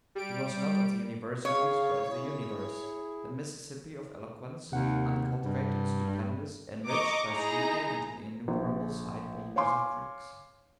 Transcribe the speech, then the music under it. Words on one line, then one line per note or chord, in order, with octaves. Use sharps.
He was not of the universities, but of the universe; the Mississippi of Eloquence, uncultivated, stupendous, enriched by sweeping into the innumerable side bayous and creeks.
G3 D7
C#3 C#5 F5
E4 G#4
D#2 C3 F#5
G2
D#5 A#5 C#6 D6
D#4 E4 G#4 A#5
A#1
C#5 F5 G#5 C6 D6